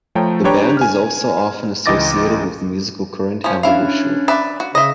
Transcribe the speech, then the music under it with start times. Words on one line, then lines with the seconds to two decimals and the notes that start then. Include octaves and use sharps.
The band is also often associated with the musical current Hamburger Schule.
0.15 F3 A3 C#5 G5 A#5
0.44 D4 G4 B4 C#5 G5 A#5
0.77 G#5 F6
1.86 C#2 E3 D#5 D6 A6 A#6
3.44 F3 C#4
3.63 C#4 D4 E4 F5
4.28 B4 D5 E5
4.60 F#4
4.75 C#3 D#5 E5